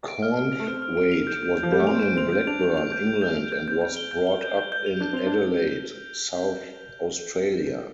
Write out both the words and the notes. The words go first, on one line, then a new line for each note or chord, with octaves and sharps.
Cornthwaite was born in Blackburn, England and was brought up in Adelaide, South Australia.
D7
F6
F6
F7
A3
C4 F6
F6
D7
F7
G6
G6
G6
F3
G3 G6
A3
C4 F7
D7
C4 F7
G6
D4 F7
F7
F7
G6
G6
G6
F7
G6
C4 G6
G6
G7
G6
G7
G6
G6
G6
F7
D4 G6
C4 F7
D4
G6